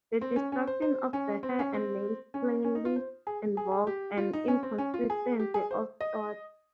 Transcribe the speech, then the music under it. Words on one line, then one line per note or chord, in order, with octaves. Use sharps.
The destruction of the hair and nails plainly involves an inconsistency of thought.
C4
C#4
C#4
C5
C5
C#4
C4
C#4
C4
C#4
C#4
D#4
F4
C5
G#4
G#4
G#4
G4
F4
D#4
C#4
C4
C#4
F4
G#4
G4
G#4
C5
D#5